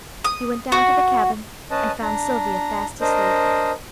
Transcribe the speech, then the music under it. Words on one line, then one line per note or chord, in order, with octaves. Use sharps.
He went down to the cabin, and found Sylvia fast asleep.
D#6
F#4
C#4 B4 D#5 A5
D4 A#5
D4 A#4 C5 D#5